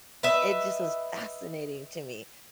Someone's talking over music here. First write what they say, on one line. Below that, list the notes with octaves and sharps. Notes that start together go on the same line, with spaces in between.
it just was fascinating to me.
B4 D#5 E5